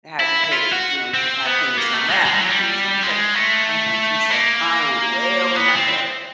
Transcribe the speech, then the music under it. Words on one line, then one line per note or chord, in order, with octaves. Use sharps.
had to pay, you know, p have payments on that, and the payments on the credit ca and I thought to myself, "I am way over my head."
E4
E4
F4
F#4
C4
B3
A#3
A3
G#3
G#3
G3
F#3
G3
G#3
A3
A#3
B3
C4